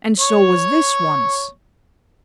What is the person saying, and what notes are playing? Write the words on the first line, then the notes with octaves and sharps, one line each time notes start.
And so was this one's.
C#5 C#6